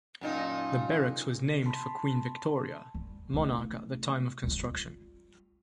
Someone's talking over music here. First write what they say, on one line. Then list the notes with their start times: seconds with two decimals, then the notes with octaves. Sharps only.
The barracks was named for Queen Victoria, monarch at the time of construction.
0.21 F#2 A#2 D#4
1.66 A5 B5 C6 B6
2.94 G3
3.34 A3 E4
4.43 G3 F4